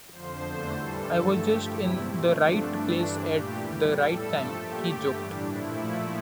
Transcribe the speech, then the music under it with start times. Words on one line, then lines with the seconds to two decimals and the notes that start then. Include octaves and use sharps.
"I was just in the right place at the right time," he joked.
0.10 F2 D3 F3 C5
0.42 E2 D3 A3 C5
0.74 A2 E3 G3 A4
1.05 G2 D3 A3
1.36 G2 F3 A3 G4
1.68 E2 C3 G3 E4
1.99 A#2 A3 C4
2.30 G2 D3 F3 A3 D4
2.62 G2 E3 A3 D4
2.93 G2 E3 G3
3.25 A#2 A3 G4
3.56 E2 E3 G3
3.87 A2 G3 A4
4.19 G2 F3 A3
4.50 A#2 A3 G4
4.82 G2 D3 A3
5.13 A2 E3 G3 D4
5.44 A#2 F3 A3 E4
5.76 A#2 F3 A3